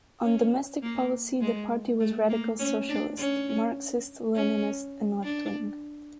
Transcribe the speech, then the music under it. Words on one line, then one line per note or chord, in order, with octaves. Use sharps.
On domestic policy, the party was radical socialist, Marxist-Leninist and left-wing.
C#4
A#3
G#3
A3
A#3
C#4
D4
C#4
C#4
D4